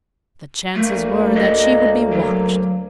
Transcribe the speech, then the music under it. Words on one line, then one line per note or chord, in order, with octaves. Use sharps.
The chances were that she would be watched.
D2 A3 A#3
D#5
F#3